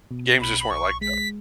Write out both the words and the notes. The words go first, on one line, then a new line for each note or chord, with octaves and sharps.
Games just weren't like that.
B2
B1 B5
B5
B1 C#6
G#3 B6